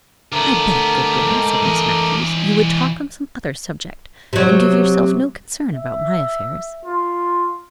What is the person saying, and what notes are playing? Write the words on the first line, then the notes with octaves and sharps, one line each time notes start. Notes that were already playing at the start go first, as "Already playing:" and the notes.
"I beg, good woman," said Miss Matthews, "you would talk on some other subject, and give yourself no concern about my affairs."
D2 A3 B3 A#4 D6
E2 G#2
E3 D#5
C3 F#3
E5
F4